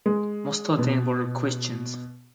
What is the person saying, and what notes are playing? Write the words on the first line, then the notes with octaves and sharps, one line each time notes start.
Most of them were Christians.
G#3
B2